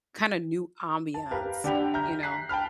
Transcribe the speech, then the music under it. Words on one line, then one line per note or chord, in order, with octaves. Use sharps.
kind of new ambiance, you know.
A5
G4 A#4 B4 F5
D3 D4 G4 G5 B5 F7
E5 A#5 F6 G6
A#5 F#6 B6 C7
G5 A5 B5 F6